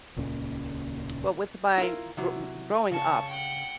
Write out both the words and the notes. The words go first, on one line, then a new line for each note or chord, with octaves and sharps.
Well, with my gro growing up,
D#1 C#2 A#2 C#4
E4 F4 A#4
C3 F#3 E4
C#3 C#4 A5 C#6
F#5 G5